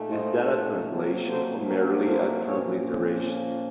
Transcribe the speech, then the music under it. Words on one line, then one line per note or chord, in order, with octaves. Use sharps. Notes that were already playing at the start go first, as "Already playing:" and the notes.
Is that a translation, or merely a transliteration?
Already playing: A#2 A3 D#4
C5 D#5
C3 F#3 A#3
A4 C5
F#4 A#4
A4 C5
A#2 F3 A#3 C#4 A#4 C#5